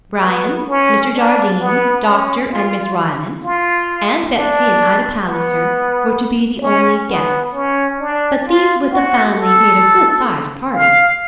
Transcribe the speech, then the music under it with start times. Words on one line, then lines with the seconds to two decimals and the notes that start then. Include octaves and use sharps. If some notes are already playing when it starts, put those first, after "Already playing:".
Brian, Mr. Jardine Dr. and Miss Rylance, Aunt Betsy, and Ida Palliser were to be the only guests; but these with the family made a good sized party.
0.24 B3
0.70 C#4
1.16 D4
1.61 B3
2.07 C#4
2.52 F4
3.44 F4
4.35 D4
5.26 B3
6.63 C#4
7.10 B3
7.55 C#4
8.01 D4
8.47 F4
8.92 F#4
9.37 A4
10.75 F5